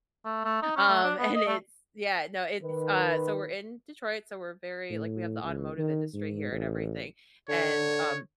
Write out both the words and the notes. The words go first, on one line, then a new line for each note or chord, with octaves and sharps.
um, and it's yeah, no, it's, uh, so we're in Detroit, so we're very like, we have the automotive industry here and everything, and, um,
A3
A3
D#4
C#4
A3
D4
B3
D#5
A3
D#3 B4
A2
C#2
D#3
G#2
A1
D3 C#5